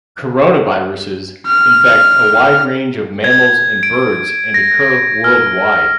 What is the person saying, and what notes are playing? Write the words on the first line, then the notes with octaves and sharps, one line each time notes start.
Coronaviruses infect a wide range of mammals and birds and occur worldwide.
F6
G#6
D7
A#6
F6